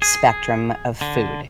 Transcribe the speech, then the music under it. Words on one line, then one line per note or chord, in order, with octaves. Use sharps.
spectrum of food.
G#4
D3